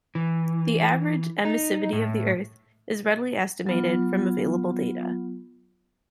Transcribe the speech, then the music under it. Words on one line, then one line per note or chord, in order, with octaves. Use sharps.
The average emissivity of the earth is readily estimated from available data.
E3
D#4
A2
F#3 B3 F4